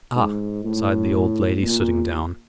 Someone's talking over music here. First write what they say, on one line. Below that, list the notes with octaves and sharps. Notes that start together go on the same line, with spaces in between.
"Ah," sighed the old lady, sitting down.
G#2
A2
A#2